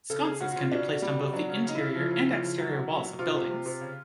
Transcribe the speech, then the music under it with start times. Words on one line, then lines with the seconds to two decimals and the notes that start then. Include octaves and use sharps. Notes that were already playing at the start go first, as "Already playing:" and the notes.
Sconces can be placed on both the interior and exterior walls of buildings.
0.10 C#3 A4
0.24 C#3 G#4
0.40 C#3 F#4
0.51 F#4
0.56 C#3 F4
0.72 B2 D4
0.87 B2
1.02 G3
1.18 B2
1.33 F#3 D4
1.49 C#3
1.54 C#4
1.64 C#3 D#4
1.75 C#3 E4
1.95 F3
2.11 C#3
2.26 F3
2.41 C#3
2.57 F#3
2.73 B2
2.88 F#3
3.04 B2
3.19 C3 F4
3.35 C3
3.50 C3
3.66 C3
3.81 C#3